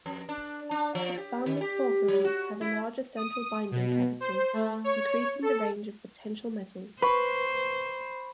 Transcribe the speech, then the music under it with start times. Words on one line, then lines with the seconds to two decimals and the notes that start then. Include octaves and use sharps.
Expanded porphyrins have a larger central binding cavity, increasing the range of potential metals.
0.06 F2
0.29 D4
0.71 D4
0.95 F3
1.17 G4
1.46 D#3
1.61 G4
2.08 F#3
2.24 F#4
2.61 E4
3.17 D#6
3.71 B2
4.20 C5
4.53 A3
4.84 C#5
5.42 A4
7.02 B4 C5 B5 C#6